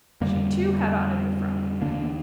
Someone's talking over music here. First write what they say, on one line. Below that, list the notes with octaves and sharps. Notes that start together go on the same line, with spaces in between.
She, too, had on a new frock.
F2 D3 G3 A#3
D#2 D3 A#3 D4
A#3